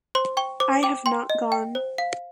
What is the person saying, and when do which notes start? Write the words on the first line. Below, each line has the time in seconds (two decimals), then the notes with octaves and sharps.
I have not gone.
0.15 C5 C6
0.37 G5 C#6
0.60 C5 D6
0.83 G5 D6
1.06 G5 C6
1.30 D#5
1.52 G5
1.75 C5
1.98 F5